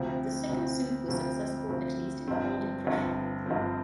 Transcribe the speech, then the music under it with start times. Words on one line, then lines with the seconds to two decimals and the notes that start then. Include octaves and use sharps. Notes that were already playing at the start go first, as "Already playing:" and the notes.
The second suit was successful, at least in holding pressure.
Already playing: D2 C3 F3 C4
0.49 D2 C3 F3 C4
1.08 D2 C3 F3 C4
1.69 D2 C3 F3 C4
2.28 G1 G2 F3 C4
2.87 G1 G2 F3 C4
3.46 G1 G2 F3 C4